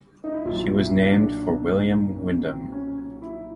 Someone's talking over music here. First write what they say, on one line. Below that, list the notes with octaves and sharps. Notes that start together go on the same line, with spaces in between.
She was named for William Windom.
D#4
E4
B1 A#2 F#3 F4
E4
D4
C#4
C4
C#4
E4